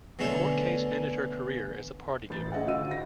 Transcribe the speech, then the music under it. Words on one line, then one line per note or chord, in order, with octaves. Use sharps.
The court case ended her career as a party giver.
B2 D3 A3 C#4 D4 A4
A1 A6
C#4 G#4 D#5 E5 F#5
D2 F#4 F5 E6 D#7
A2 A#6